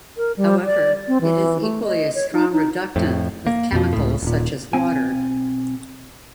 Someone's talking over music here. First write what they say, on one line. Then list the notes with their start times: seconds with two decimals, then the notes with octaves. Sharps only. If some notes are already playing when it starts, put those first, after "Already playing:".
However, it is equally a strong reductant with chemicals such as water.
0.17 A#4
0.37 G3
0.66 D5
1.08 C4
1.21 E3
1.61 A3
1.84 D#5
2.15 C#5
2.32 D#4
2.52 D#4
2.96 F2 A2
3.47 A#3
3.72 F2 B2 F3
3.93 C#2 A2
4.23 D#1 A#2
4.73 B1 C4 G5 G#5